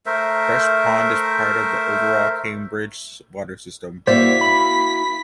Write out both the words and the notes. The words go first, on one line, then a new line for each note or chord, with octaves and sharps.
Fresh Pond is part of the overall Cambridge water system.
A3 A#4 C5 E5
A#3 E4 F#4 C5 D5 B6
B5